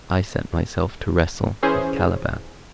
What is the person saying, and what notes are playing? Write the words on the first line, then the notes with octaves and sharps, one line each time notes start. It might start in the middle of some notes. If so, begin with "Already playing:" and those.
I set myself to wrestle with Caliban. . . .
E3 C#4 G#4 C5